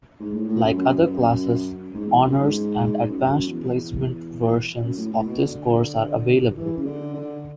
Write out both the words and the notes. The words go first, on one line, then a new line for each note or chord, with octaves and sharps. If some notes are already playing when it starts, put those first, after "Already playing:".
Like other classes, Honors and Advanced Placement versions of this course are available.
G#2
A2
A2
F#2
F#2
G#2
E2
F#2
G#2
F#2
F#2
E2
E2
F#2
A2
A2
B2
D3
E3
C#3
D3
D3